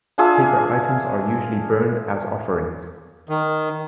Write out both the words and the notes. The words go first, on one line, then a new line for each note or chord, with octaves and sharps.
Paper items are usually burned as offerings.
D4 F4 G#4 E5
D#3